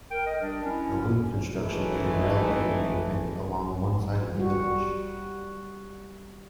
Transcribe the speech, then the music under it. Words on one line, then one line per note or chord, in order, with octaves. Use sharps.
The loop construction made a railway embankment along one side of the village.
A#4 G5
D#5
G3 D4
C#4 E4
A2 E3 G#3 A3 D#4 G#4
G3 F#4